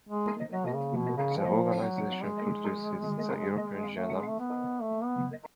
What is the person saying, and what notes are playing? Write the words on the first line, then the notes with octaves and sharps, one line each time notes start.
The organisation produces the European Journal.
G#3
F#3
B2
C#3
B2
C#3
F3
F#3
G#3
A3
G#3
A3
B3
A3
B3